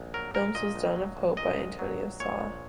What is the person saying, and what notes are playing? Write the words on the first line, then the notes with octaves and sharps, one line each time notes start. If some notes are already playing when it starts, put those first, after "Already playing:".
Films was "Dawn of Hope" by Antonio Sau.
Already playing: A#1
F#3 A#4
A#1 A#4
A#2 D#5
A#1
F#3
A#1
A#2 D#5
A#1
F#3
A#1
A#2 C#5
A#1